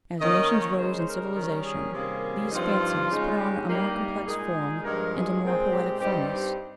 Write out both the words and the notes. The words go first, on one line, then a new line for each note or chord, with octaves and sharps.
As nations rose in civilization these fancies put on a more complex form and a more poetic fulness.
D#3 A#3 C#4 D#5
C#5
C#3 G#3 D#4 C5
A#4
D#3 G3 C#4
G#4
C3 D#3 G3 A#3 C#4 G#4
G2 F3 C4 D#4 F4
C#3 G#3 D#4
G4
G2 G3 A#3 D#4 G4
G4
A#2 G#3 D#4 G#4
G2 F3 G#3 A#4
G#4
A#2 G#3 C4
G4
G2 G3 C4 D#4 G4
G4